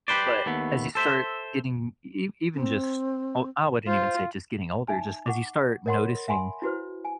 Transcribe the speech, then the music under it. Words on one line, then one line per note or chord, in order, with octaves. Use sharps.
but as you start getting ev even just, o I wouldn't even say just getting older, just as you start noticing,
G4 B4 C5 D5
D#2 A3 B3
A4 C5 E5
C4
F4 C5
D#4 E5 G#5
F#5 C#6 D6
A#4 C#5 D#5 F#5 B5 C6
E5 F#5 G#5 B5 C6
E4 F#4 B4 C5
G#5